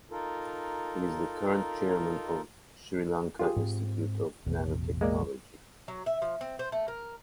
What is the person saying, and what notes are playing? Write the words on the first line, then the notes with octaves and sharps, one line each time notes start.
He is the current chairman of Sri Lanka Institute of Nanotechnology.
D#4 F4 A4 A#4
F4 G4 G#4
G#2 C4
A1 E2 B2
G#3 A#3 D5
F#3
E5
F3
C4
C5
A3
A#4